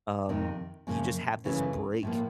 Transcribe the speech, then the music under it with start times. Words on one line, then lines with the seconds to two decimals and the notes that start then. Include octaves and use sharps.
um, you just have this break
0.29 F2 C3 D#3
0.87 F#2 C#3 F3 A#3
1.45 F#2 C#3 E3 A3 C#4
2.03 A2 F3 A#3